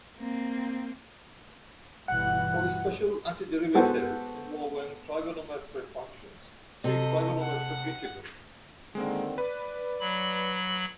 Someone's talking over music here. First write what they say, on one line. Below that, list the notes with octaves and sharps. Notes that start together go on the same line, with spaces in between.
For the special antiderivatives involving trigonometric functions, see Trigonometric integral.
A#3 C4
G1 B2 E3 F#5 F#6
G#3 B3 F#4 A4 C5 F#5
C3 A4 D#5
F#5
D3 D#3 G#3 A#3 C4
B4 D5
F#3 B5